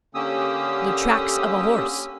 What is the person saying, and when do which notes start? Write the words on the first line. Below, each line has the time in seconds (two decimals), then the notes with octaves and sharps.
"The tracks of a horse."
0.15 D3 A#3 C#4 G4 D#6 E6